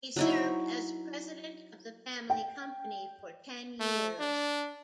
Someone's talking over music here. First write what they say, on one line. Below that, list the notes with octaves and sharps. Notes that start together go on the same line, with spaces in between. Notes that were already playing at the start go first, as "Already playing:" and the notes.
He served as president of the family company for ten years.
F#3 D#4 E4
G5
A3
D4